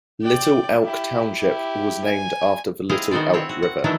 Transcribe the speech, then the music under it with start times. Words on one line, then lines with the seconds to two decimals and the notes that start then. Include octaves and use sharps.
Little Elk Township was named after the Little Elk River.
0.22 D5 G5
0.84 E4 G4
1.39 E4 G4
2.05 G#5
2.89 G#3 C4 E4 G#4 D#5 F5
3.11 D#3 B3 F#4 C5 D5
3.33 C4 E4 C#5
3.49 F#4
3.63 F#5
3.84 D#3 E3 F#3 A3 D4 E4